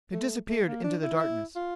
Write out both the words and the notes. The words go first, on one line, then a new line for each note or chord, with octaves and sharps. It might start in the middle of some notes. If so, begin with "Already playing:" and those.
They disappeared into the darkness.
A3
A3
A#3
D4
E4
E4
F4